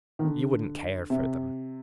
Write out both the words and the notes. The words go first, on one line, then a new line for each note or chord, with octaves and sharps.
You would n't care for them.
D#3
D3
C3